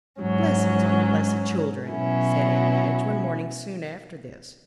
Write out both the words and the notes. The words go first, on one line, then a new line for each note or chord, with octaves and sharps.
"Blessings on the blessed children!" said aunt Madge, one morning soon after this.
G#2 F#3 C#4
B2 F#3 C#4 E4